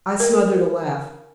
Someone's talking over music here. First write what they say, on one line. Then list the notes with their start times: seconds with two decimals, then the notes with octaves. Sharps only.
I smothered a laugh.
0.20 A#4